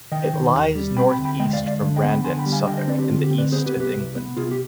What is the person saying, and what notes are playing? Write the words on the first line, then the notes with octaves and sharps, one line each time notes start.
It lies north east from Brandon, Suffolk in the East of England.
D#3 D#5 G5
D#3
D#2
G3
C4 G5 B5
G5 B5
D2
G5 B5
G#3 D#5 G5
D5 F5
D2
D5 F5
D3
D#5 G5
B3
G5 B5
D3 G#5 C6
G5 B5
G3
F5 G#5
D3 D#5 G5
C5 D#5
C4 B4 D5
G4
D3 F4
G4
C4
B4 D5
B3 G#4 C5
G4 B4
C2
G4 B4
C2
B3
C3 F4 G#4
G4